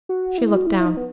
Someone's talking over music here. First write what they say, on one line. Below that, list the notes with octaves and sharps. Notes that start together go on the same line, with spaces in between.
She looked down.
F#4
E4
F#4
E4
E4
D#4
B3